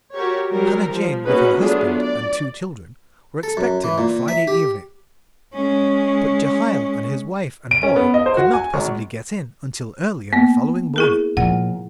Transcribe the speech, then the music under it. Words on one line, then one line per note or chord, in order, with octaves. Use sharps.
Hannah Jane, with her husband and two children, were expected on Friday evening; but Jehiel and his wife and boy could not possibly get in until early on the following morning.
F#4 G4 A#4 C#5
F#3 G3 A#4
F3
A#3 C#4 D#4 F#4 G#4 B4
F#3 A3 B3 D4 F4 G#4
D5
A4
F#2
E3
A#2
E5
G4
G#3 C#4
D7
C#4
B3
D#5
C5
F#4
G#5
G#1
A#3 B3
E4 G#4 A#4
A#2 F3 F#5